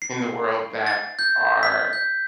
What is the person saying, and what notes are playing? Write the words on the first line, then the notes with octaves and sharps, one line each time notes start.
in the world that are
C7
A6
G6
B6
G6